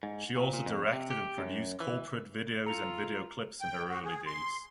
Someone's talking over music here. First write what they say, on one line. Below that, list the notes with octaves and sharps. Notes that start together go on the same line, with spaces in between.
She also directed and produced corporate videos and video clips in her early days.
G#2
A#2
A#2
F2
C3
G4
F#2
E3
F4 A4 A#5 C#7 F7
G5
F#4
G#4
C6